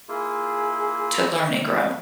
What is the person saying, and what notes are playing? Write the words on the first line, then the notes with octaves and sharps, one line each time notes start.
to learn and grow.
A#3 E4 F4 G#4